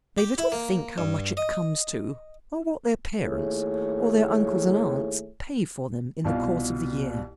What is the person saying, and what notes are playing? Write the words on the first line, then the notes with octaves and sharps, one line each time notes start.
They little think how much it comes to, or what their parents, or their uncles and aunts, pay for them in the course of the year.
G4
E4
A#3
G2
D#5
D#2 A3 E4 G#4 C#5
C2 B2 F4 F5